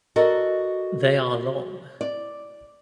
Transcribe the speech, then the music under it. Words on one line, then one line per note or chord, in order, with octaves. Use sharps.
They are long.
F#4 A4 A#4 D5 D#5
D5